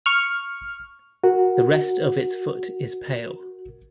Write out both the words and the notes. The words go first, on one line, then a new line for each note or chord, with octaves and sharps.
The rest of its foot is pale.
C#6 F6
F#4 A#4